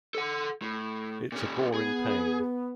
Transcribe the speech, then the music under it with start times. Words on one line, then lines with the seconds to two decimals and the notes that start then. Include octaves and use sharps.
It's a boring pain.
0.15 A4 F#5
0.62 A2
1.32 A#2 C#4
1.74 B3 G#4